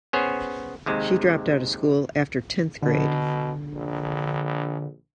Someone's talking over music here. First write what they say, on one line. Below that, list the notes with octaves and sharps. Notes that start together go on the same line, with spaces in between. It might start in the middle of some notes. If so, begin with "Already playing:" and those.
She dropped out of school after tenth grade.
B3 C#4 G#4 C5 C#5
D#2 C3 G#3
B2 D3
A#1